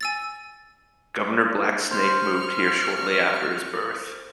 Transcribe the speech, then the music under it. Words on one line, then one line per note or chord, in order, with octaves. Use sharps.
Governor Blacksnake moved here shortly after his birth.
G#5 E6 A6
C5 C#6 F6